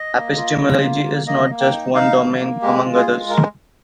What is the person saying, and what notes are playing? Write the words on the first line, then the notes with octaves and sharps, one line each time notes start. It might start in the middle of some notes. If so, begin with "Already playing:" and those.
Epistemology is not just one domain among others.
Already playing: D#5
A#3
F4
F4
A#3
A#3
A#3 D#5
A#3
G5
D#4
D#4 F5
A#3
A#3
G#3 G4
F4
G#4
G#3
A#4